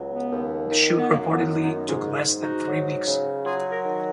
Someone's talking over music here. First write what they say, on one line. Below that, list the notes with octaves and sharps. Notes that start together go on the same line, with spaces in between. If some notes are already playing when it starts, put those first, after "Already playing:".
The shoot reportedly took less than three weeks.
Already playing: C#2 F#3
B3
D#2
D#3
B3
F#2 A#3
B3
D#3
B3 D#4
G#2 C#4 F4
G#2
D#4 F#4
F#3
C#3
F#3 F4 G#4
F#4 A#4
D#3